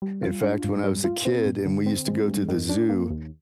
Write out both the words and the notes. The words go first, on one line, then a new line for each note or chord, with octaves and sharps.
In fact, when I was a kid and we used to go to the zoo,
G3
F4
D4
G#2
G3
F4
C4
A#2
D3
C4
G#3
G2
D#3
D4
A#3
D#2